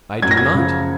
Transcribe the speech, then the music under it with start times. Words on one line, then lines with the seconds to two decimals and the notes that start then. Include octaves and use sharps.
I do not.
0.22 F#2 G#6
0.31 A#6
0.37 G#6
0.54 C#3 F3